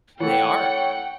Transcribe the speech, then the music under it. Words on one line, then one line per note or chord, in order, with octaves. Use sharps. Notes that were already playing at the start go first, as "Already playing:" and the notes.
They are.
E3 A3 C#5 F#5 G5 C#7